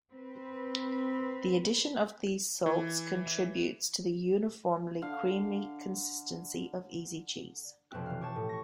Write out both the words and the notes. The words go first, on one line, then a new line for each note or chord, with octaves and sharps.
The addition of these salts contributes to the uniformly creamy consistency of Easy Cheese.
C4 B4
E3
D3 F5
F1 B2 C4 E5 G5 F#6
E3 F5
G4 C#5 A5
A2
C#6 A#6